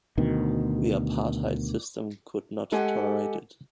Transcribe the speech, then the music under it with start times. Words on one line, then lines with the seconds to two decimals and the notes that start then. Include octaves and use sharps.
The apartheid system could not tolerate it.
0.18 D2 B2 D#3
2.72 G#3 G4 A4 F#5 G#5